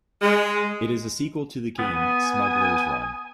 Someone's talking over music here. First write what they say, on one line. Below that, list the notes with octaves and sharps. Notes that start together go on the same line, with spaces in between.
It is a sequel to the game "Smuggler's Run".
G#3
B3 G#5 D#6